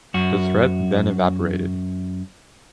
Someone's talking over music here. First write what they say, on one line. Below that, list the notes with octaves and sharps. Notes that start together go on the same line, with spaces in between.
The threat then evaporated.
F#2 F#4